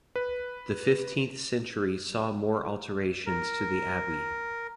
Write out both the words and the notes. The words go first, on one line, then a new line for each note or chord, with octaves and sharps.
The fifteenth century saw more alterations to the Abbey.
B4
A#4